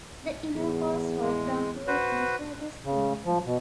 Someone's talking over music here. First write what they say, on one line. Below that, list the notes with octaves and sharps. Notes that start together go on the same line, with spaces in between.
The inner walls slope down to a featureless inner floor.
E2
G#3
F#4 B4 C5
C#3
F3
B2